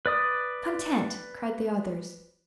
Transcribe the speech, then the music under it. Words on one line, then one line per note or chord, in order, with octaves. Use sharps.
"Content," cried the others.
B4 D5 D#6